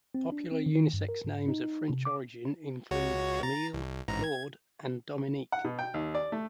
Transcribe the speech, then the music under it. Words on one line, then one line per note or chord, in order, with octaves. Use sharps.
Popular unisex names of French origin include Camille, Claude, and Dominique.
C4
D4
C4
D#3
G2
A#4
G#2
D#4
C3
D6
C#2 F#4 C#5
A#5 A6
C2
A1 G#2 A#5
G#6
F#5
B2
G5
D#2
D5
A3